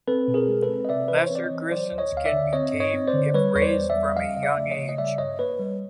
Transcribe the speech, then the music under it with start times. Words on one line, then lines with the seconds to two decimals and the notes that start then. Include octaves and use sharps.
Lesser grisons can be tamed if raised from a young age.
0.08 C4 A4 B4
0.28 B2
0.34 G#4 A#4
0.48 G#3
0.63 A4 B4
0.69 C4
0.85 D#5
0.89 C3 D5 E5
1.08 E3 B4
1.17 C5
1.26 C#5
1.30 C4 D5
1.44 C#5 D#5
1.50 E3
1.71 F#3 C5 D5
1.92 D2
1.98 C#5 D#5
2.12 D2 F5
2.25 D5 E5
2.32 D3
2.53 C4 C#5 D#5
2.73 G2
2.80 C#5 D#5
2.94 C4
3.07 C5 D5
3.14 D3
3.34 G3 B4 C#5
3.55 E2 C#5
3.62 C5 D5
3.76 E2
3.90 D5 E5
3.96 G3
4.17 F3 D#5 F5
4.36 C#3 D#5
4.43 D5 E5
4.57 A3
4.71 C#5 D#5
4.77 C#3
4.89 D#5
4.98 G3 D5 E5
5.18 G2 C#5 D#5
5.39 A#3 B4 C#5
5.59 G3